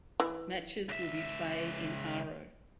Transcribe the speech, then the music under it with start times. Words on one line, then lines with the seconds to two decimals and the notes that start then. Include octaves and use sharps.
Matches will be played in Haro.
0.20 E3
0.89 C#2 E5